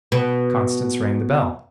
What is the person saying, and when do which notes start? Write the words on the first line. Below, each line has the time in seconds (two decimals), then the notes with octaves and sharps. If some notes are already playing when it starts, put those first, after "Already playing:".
Constance rang the bell.
0.12 B2